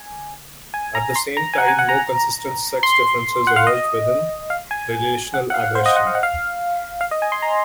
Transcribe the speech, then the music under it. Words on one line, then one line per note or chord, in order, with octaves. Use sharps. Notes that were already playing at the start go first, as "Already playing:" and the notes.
At the same time no consistent sex differences emerged within relational aggression.
Already playing: G#5
G#5
A#5
C6
A#5
G#5
F#5
G#5
F#5
A#5
C6
F#5
F5
D#5
F5
G#5
F#5
F#5
F5
C5
D#5
F#5
F5
F#5
F5
F5
D#5
G#5
C6
A#5